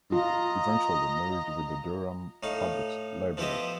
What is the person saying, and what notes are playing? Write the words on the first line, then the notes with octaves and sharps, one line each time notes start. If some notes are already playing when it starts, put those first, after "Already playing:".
It eventually merged with the Durham Public Library.
F4 D#5 A#5
A2 D#4 F5
F3 B3 E4 G4 C5 D#5